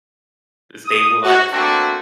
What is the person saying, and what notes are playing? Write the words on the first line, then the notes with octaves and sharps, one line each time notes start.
the stable life.
D#6
F#4
A3 A#3 C4 D4 F#4